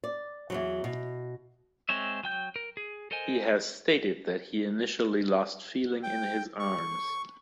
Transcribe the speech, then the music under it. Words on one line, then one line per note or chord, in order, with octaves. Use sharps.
He has stated that he initially lost feeling in his arms.
D5
E2 G#2 F#3
B2
G#3 C4 C#5 E5
F#3 G5 G6
A#4
G#4
A4 A#4 C5 D#5 G#5
G5
C#6